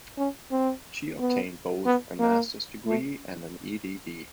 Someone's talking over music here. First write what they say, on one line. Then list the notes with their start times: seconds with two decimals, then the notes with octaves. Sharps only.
She obtained both a master's degree and an Ed.D.
0.18 C#4
0.51 C4
1.19 B3
1.85 B3
2.19 A#3
2.86 A3